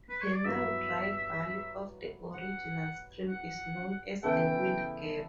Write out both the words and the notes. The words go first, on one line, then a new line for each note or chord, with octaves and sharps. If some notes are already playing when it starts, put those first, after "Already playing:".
The now-dry valley of the original stream is known as a wind gap.
B4
C#5
D5
G2 F#3 B3 E4 E5
F#5
F#5
C#3 E3 B3 E4 A4 G5